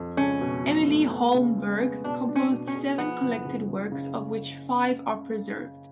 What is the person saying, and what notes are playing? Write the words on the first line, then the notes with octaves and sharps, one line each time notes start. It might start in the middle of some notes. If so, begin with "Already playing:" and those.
Emilie Holmberg composed seven collected works of which five are preserved.
Already playing: F2
C#2 C#4
B2
F#3
A3
B3
C#3
G#3
B3
B2 D4
D4
C#4
B2
C#4
G#4
F3 B3
F#1
F#1
F#1
C#3